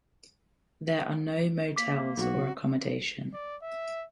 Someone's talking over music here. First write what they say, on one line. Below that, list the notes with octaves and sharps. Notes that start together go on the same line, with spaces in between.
There are no motels or accommodation.
A#3 D6 B6
B1 F#4
D5
E5